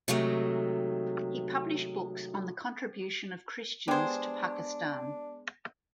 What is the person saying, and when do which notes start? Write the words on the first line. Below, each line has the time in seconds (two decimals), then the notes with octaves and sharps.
He published books on the contribution of Christians to Pakistan.
0.08 C3 D#3 F#3 G#3 A3
3.88 G#3 B3 D4 G4 G#4 C5